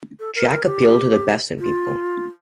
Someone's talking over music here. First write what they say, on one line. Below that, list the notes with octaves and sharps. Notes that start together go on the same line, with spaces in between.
Jack appealed to the best in people.
A4
A#4
A#4
G4
F4